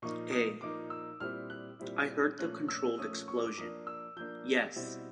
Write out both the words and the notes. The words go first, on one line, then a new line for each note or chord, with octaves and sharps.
A. I heard the controlled explosion, yes.
A#2 F3 A#3 D#4 C#6
D#6
A#2 F3 A#3 D#4 D6
E6
A#2 G3 C4 E4 F6
F#6
A#2 G3 C4 E4
A#2 F3 A3 C#4 F#6
E6
A#2 F3 A3 C#4 D#6
C#6
D6
F3 A#3 D4 D#6
E6
F3 A#3 D4 G6
B2 G3 C4 E4